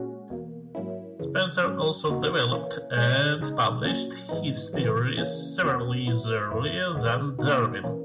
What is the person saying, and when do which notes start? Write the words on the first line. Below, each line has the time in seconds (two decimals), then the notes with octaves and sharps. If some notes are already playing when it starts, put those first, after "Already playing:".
Spencer also developed and published his theories several years earlier than Darwin.
Already playing: A#2 G#3 C#4 F#4
0.30 E2 B2 A#3
0.75 G#2 F#3 A#3 C#4 E4
1.19 F#2 C#3 E3
1.64 G#2 F#3 C#4
2.08 E2 D#3 A#3 D#4 F#4
2.52 E3 A#3 C#4
2.97 A#2 G#3 C#4
3.41 C#3 G#3 D#4
3.84 A#2 F#3 C#4
4.29 G#2 E3 B3 D#4
4.73 F#2 C#3 E3 B3
5.17 C#3 E3 A#3 C#4
5.62 E2 B2 A#3 C#4 F#4
6.06 G#2 F#3 B3 E4
6.51 F#2 E3 A#3 E4
6.95 E2 D#3 G#3 B3
7.39 A#2 A#3 D#4 F#4
7.84 E3 A#3 C#4